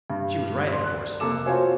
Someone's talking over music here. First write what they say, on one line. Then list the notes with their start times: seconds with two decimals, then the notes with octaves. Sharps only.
She was right, of course.
0.10 G2
0.69 D5 C6
0.84 F#6
1.20 F1 A#3 A4 D6 E7
1.45 F4 F#4 C5 C#5 G#5